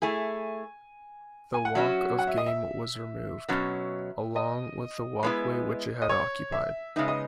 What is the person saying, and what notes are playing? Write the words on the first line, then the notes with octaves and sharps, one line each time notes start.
The Walk of Game was removed, along with the walkway which it had occupied.
A3 E4 G#4 G#5
G#5
F#5
F#3 C#4 F#4 E5
F#5
E5
D#5
E5
B2 F#3 C#4
D#5
G#3 B3 E4
D#5
C#5
E5
C#3 G#3 B3 D#4 E5
D#5